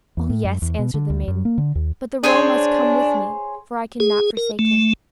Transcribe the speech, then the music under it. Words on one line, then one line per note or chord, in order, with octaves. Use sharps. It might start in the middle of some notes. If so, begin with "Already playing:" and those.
"Oh yes," answered the maiden, "but the roe must come with me, for I cannot forsake him."
E2
A2
F#2
E2
B2
D3
D2
F#2
A#3
D3
D#2
D4 G#4 C5 C#5
G#4
A#4
A3